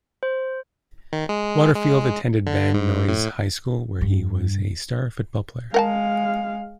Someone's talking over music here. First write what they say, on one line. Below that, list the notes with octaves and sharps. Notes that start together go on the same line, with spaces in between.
Waterfield attended Van Nuys High School where he was a star football player.
C5
D#3
G#3
G#3
D3
G#2
A2
G2
G#3 A#4 F5 F#5 A5